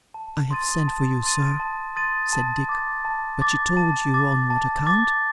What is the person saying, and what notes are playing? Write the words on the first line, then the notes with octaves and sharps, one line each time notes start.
'I have sent for you, Sir,' said Dick--'but she told you on what account?'
A5
C6 D#6 A6 D#7
A5
C6 D#6 A6 D#7
A5
C6 D#6 A6 D#7
A5
D6 A6
A5
D6 A6
A5
D6 A6
A5
D6 A6